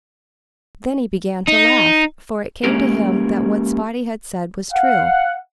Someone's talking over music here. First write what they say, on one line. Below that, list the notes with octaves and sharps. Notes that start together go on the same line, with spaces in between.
Then he began to laugh, for it came to him that what Spotty had said was true.
D#4
G#3 A#3 C#4 G4 A#4
F5 F#5